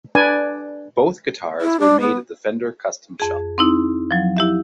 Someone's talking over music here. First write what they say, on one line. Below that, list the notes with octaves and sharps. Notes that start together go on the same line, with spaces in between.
Both guitars were made at the Fender Custom Shop.
D4 B4 D5 G#5
E4
D4
B3
F2 G#4
C4 D#4 E4
F3 F#3
E4 G4 E5